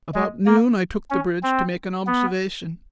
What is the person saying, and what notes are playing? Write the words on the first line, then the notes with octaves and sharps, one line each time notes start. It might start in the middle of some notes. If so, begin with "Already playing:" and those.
About noon I took the bridge to make an observation.
G#3
A#3
C#4
C4
B3